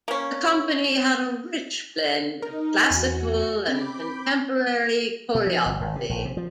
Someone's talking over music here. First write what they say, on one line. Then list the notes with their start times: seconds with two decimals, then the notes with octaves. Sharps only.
The company had a rich blend of classical and contemporary choreography.
0.08 A#3 C#4
2.42 D#4 A#4
2.90 E2 F#4 G#5
3.68 C4 B5 D6 G6
5.35 B2
5.47 F3
5.66 G1
5.80 G#1
5.95 C3
6.09 A#1
6.25 C3
6.37 F3